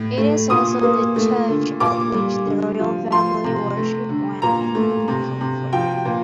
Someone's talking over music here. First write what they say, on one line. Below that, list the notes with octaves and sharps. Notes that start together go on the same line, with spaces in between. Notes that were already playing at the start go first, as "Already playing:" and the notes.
It is also the church at which the royal family worships when in Vancouver.
Already playing: A2
A3
A#2 D#6
A#3
A3
D3
A#2 D6
G3
D3
F3
F3 C6
C3
A3
D3
A#2 A#5
A3
C3
C3
F3 G5
A#2